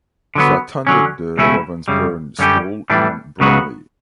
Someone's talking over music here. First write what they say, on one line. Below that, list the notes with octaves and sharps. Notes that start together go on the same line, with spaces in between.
She attended the Ravensbourne School in Bromley.
D3 F#3 B3
D3 F#3 C#4
C#2 B2 A3 C#4 E4
F#2 C#3 G3
F#2 D3 G3 C#4 G4
A2 E3 G3 D4
C#2 C#3 F#3 B3 F#4